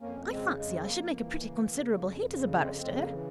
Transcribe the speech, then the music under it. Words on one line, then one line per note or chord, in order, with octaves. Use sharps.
'I fancy I should make a pretty considerable hit as a barrister.'
F2 A#3 C#4
A#3
C#3 G#3 C4
F2 G#3
C4
F2 A#3
E3
C#3
C#3
F2
C#3
F2 G#3 C4
G#3 C4
C#3
A#3
E3